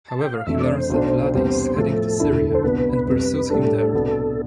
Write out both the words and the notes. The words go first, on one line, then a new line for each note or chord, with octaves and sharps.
However, he learns that Vlady is heading to Syria, and pursues him there.
A5
G5
F5
F2 E3 A3 D4 E5
D5
C5
B1 B2 A3 D4
E2 C3 G3 B3 D4
A2 F3 A3 A4
E1 D2 D3 A3 E4
C5
C2 B2 B3 D4 B4
F2 C3 G3
A2 G3 D4 A4
C2 B2 B3 D4